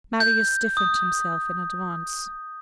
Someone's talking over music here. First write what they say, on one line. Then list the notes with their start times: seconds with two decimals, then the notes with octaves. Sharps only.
Marius stiffened himself in advance.
0.20 G6
0.77 D#6